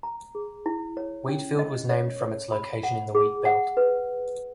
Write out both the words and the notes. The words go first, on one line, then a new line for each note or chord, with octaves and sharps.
Wheatfield was named from its location in the Wheat Belt.
A#5
G#4
E4
C#5
C#4
D#5
C#5
C#5
B5
F#5
G#4
F#5
B4